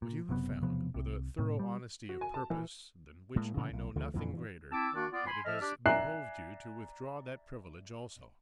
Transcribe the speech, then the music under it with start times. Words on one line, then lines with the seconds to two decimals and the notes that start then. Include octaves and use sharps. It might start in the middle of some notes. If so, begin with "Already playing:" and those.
But you have found,--with a thorough honesty of purpose than which I know nothing greater,--that it has behoved you to withdraw that privilege also.
0.02 A#2
0.29 F#1 C3 F#3 B3
0.63 E1 C3 F3 B3
0.94 C2 C3
1.39 A2 C3
1.59 G3
2.09 F#4
2.21 G#5
2.34 A5
2.50 E3
3.36 A2 G#3 A#3
3.57 A#2 C#3 E3 A3
3.73 B1
3.96 D2 D3 F3 A3
4.14 F2 A#2 E3
4.33 G2 E3
4.72 C4 E4 A5 D6 E6
4.94 D#3 A#3 D4 F#4 D5
5.12 B3 F4 D5
5.27 G#5 B5 C6
5.45 F3 A4 D#5 E5 F6
5.61 D4 G4 D5
5.86 D5 E5 G#5 A#5 F#6 C7